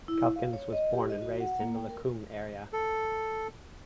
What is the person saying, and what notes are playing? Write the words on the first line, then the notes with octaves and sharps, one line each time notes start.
Calkins was born and raised in the Lacombe area.
E4
F5
C#5
D#5
G4
D#5
F#4
F#5
A#3
G5
A#4
A4